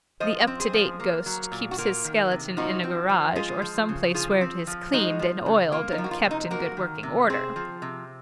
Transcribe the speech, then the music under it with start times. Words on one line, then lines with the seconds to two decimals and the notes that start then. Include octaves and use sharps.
The up-to-date ghost keeps his skeleton in a garage or some place where it is cleaned and oiled and kept in good working order.
0.20 F3 C5 D#5
0.47 C4
0.60 G#4 C5
0.73 F3
1.00 A#3
1.26 F#3
1.52 A#2
1.71 F#4
1.78 A#3 F4
2.04 D#3
2.31 C3
2.57 F3 D#4 F#4
2.83 C4
3.09 F3
3.35 G#3 F4 G#4
3.62 F3
3.89 C#3
4.14 F3 F4 G#4
4.41 C4
4.67 F3
4.94 G#3 D#4 F#4
5.19 F3
5.46 C#3
5.72 A#3 F4
5.92 D#4
5.98 F3
6.04 F#4
6.11 F4
6.25 C3
6.31 D#4
6.51 A#3 F#4 A#4
6.77 D#3
7.03 C3
7.30 C4 G#4 C5
7.56 F3
7.82 C3